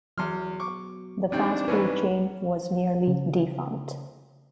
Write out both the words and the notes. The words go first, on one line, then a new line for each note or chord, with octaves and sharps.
The fast-food chain was nearly defunct.
E2 F#3 B3 C6 F6
C#6 D6
A1 C4 D4 D#4 G4 D5 G5
G#2 E3 C#4 B4
C#3